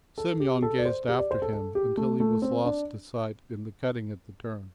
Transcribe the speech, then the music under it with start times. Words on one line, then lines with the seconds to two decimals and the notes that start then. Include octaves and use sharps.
Semyon gazed after him until he was lost to sight in the cutting at the turn.
0.18 A4
0.40 G4
0.62 A4
0.79 D5
0.85 C5
1.09 G4
1.19 D5
1.31 C5
1.42 A4
1.53 A4
1.75 G4
1.97 A3
2.20 A3
2.42 C4
2.65 D4